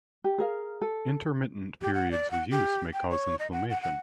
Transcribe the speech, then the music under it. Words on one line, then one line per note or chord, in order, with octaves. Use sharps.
Intermittent periods of use may cause inflammation.
G4
G#4 A#4 F5
A4
G4
F#5
D5
F#5
G4
G5
C#5
D#5
F#5
F#5
F#5